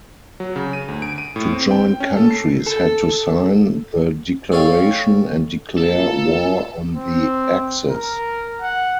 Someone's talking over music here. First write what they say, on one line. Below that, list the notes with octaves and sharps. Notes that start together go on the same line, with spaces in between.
To join countries had to sign the Declaration and declare war on the Axis.
F#3
C#3
D#7
D2
D7
D#7
A2
C4
G5
C#4
A4
C7
A4
G#4 A4 C#5 D#5 F5 G5
A#2 A4
C4
A#4
F#5